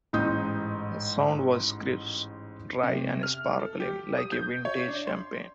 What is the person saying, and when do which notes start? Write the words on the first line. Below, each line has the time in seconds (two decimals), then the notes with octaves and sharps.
His sound was crisp, dry, and sparkling, like a vintage champagne.
0.13 A1 G#2 D#4 C6 D#6 G6
2.83 C3
3.23 F6
3.59 A4
3.80 G4
4.17 D#6
4.32 G6
4.65 C#5
4.88 D4
5.07 C6